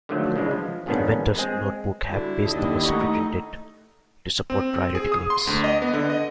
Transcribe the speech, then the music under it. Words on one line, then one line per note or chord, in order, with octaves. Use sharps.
Inventor's notebooks have page numbers preprinted to support priority claims.
D3 D#3 F3 F#3 G#3 A3
C#3 E3 G#3 D4
F3
F2 G#2 D#3 B3 C#4 D4
G#3 C4 G#4
D3 G3 E4 F#4
D#2 G4 A4 D#5
A3 D#4 F#5 C#6
C4
G#4
D#6
C6
D2
D#5
B3
D3
D#5